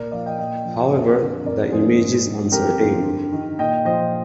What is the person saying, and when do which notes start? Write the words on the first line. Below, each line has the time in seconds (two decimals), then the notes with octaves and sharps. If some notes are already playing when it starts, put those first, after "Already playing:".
However, the image is uncertain.
Already playing: A#2 A#4 D5
0.11 F3 D5 F5
0.25 D#5 G5
0.38 A#2 D#5 G5
0.65 F3
0.92 F2
1.19 D3 F3
1.45 F2 A#4 D5
1.72 D3 F3 G#4 C5
1.99 G#2
2.25 D#3
2.51 F2 G4 A#4
2.79 D3 F3
3.05 G2
3.32 D#3
3.58 A#2 D#5 G5
3.85 F3 C5 D#5